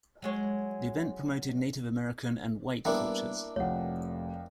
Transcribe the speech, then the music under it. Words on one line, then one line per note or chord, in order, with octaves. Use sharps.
The event promoted Native American and "White" cultures.
F#3 G#3 C#5
G3 A#3 B3 D4 E4 A#4 G5
F1 F2 C#5 F5 F#5